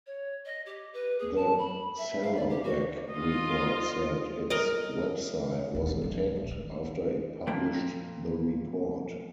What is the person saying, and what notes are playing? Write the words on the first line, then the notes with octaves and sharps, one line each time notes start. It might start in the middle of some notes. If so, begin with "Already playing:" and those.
The "Sarawak Report" said its website was attacked after it published the report.
C#5
D#5
G4
B4
G#4
A5
B5
E5
F5
D5
G4
F#4
F4 D#5
A#4 D#5
D#2 B2
B1 D3
F3 G#3
D2
A#1
D#3 A3
A#2 F3 C4 G5